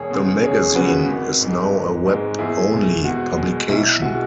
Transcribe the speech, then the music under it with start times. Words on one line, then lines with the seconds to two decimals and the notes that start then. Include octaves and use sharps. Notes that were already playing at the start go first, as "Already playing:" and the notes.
The magazine is now a web-only publication.
Already playing: E1 G#4 C#5
0.11 E2 C#3 G#3
0.42 E1 G#4 C#5
0.75 E2 C#3 G#3 F#4 B4
1.08 G#1
1.41 G#2 G#3
1.74 G#1
2.06 G#2 G#3
2.39 E2 E4 G#4
2.72 B2 G#3
3.04 E2 F#4
3.36 B2 G#3
3.69 B1 E4
4.02 B2 G#3 F#4